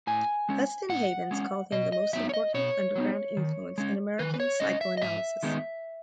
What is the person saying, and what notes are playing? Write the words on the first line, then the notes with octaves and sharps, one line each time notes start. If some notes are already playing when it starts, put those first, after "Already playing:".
Leston Havens called him the most important underground influence in American psychoanalysis.
A2 G#5
G#3 C#4
A2 F#5
G#3 C#4
B2 D#5
D#5
F#3 B3 D#4 E5
C#5
D#5
B2 C#5
F#3 B3 D#4
D#3
G#3 C#4
D#3 B4
B4
C#5
G#3 C#4 D#5
E5
D#5
G#2 E5
D#3 G#3 B3 D#4